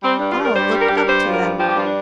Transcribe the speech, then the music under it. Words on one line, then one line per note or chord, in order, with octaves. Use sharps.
All looked up to them.
G3 C4
G2 D4
F4
G3 A#4
G2 C5
G3
A#4
G2 G4
A#4
G2 C5
F3
A#4
G2
F3 G4
G4
G2 F4
D4